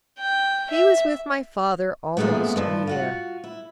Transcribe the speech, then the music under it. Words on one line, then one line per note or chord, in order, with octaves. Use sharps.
He was with my father almost a year.
G5
E5
F#2 A#2 F3 G#3 A3 B3
G2 F3
F4 F#4 F#5
E4